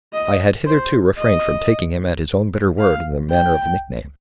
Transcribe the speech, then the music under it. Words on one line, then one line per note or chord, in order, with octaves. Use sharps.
I had hitherto refrained from taking him at his own bitter word in the matter of nick-name.
D#5
C5
D#5
F5
G5